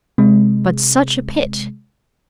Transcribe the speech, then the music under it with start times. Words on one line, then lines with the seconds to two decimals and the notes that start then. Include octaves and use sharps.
But such a pit!
0.18 C3 G#3